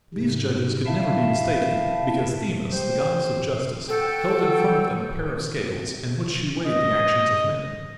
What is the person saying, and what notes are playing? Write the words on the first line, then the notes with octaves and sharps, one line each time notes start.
These judges could never be mistaken because Themis, the Goddess of Justice, held in front of them a pair of scales in which she weighed the actions of men.
G#2 C3
E4 E5 F5 A5
G4 C5
F#4 A4 F#5 G5
D#5